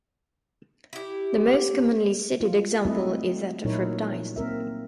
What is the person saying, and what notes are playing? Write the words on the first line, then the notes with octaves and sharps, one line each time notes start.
The most commonly cited example is that of reptiles.
E4 G4
F4
G3 A3 C4 E4 D#5
A#2 F#3 D#4 E4 A#4 C#5
A#3 C4 A#4 E5